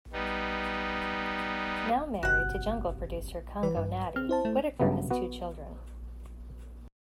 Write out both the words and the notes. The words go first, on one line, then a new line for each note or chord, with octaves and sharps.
Now married to jungle producer Congo Natty, Whittaker has two children.
G3 B3 D#4
G1 C3 F#4 F#5
E3 B4
G2
C4 F6
E4 C5 A5
A3
G2 C#3 F#3 A3 B3
B3 F#4